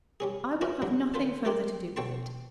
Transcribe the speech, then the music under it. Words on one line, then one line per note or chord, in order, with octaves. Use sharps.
I will have nothing further to do with it.
G3 C#4 G#4
C#4 D4 E4 B4 G#5 A#5
G2 F#3 G#3 D4
D2 F4 B4 C5 A5
C4 D4 D#4 G4 A4 A#4
B2 A4 C#5 G5 A5 C6